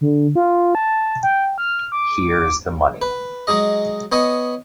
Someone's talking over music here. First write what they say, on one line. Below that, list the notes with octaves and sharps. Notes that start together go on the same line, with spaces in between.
Here's the money.
D3
F4
A5
G5
F6
D6
B4
F#3 G#3 G#4 D#5
B3 C#5 D#5 G#5